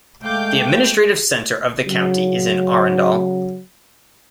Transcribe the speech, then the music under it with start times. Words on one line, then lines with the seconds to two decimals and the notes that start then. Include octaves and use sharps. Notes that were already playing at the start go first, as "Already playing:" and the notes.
The administrative center of the county is in Arendal.
0.23 G#3 A3 F5 G5 D6 G6
1.88 C#3 F#3